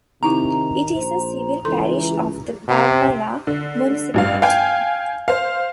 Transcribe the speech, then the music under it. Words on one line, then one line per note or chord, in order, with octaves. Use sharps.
It is a civil parish of the Palmela Municipality.
C3 D#3 C4 D#4 E4 A#5
A#1 C5
C#2 E3 A4 C6
C3
D3
A1 G2 F5
F5 G5 G#5
C5 F5